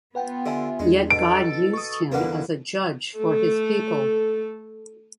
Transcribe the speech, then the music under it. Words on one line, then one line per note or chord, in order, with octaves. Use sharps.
Yet God used him as a Judge for His people.
B3 F4 B4 F#5 G5
D3 G4 E5 G#5
E2 G#3 D4
B2 A4 D7
C#6 D#6
E2 D3 G3 A#3 E4 B4 F#5
A3 A4